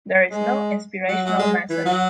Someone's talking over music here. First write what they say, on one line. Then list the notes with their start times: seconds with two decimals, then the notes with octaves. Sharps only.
There is no inspirational message.
0.31 G#3
1.09 F#3
1.25 F#3
1.39 G#3
1.70 E3
1.85 F#3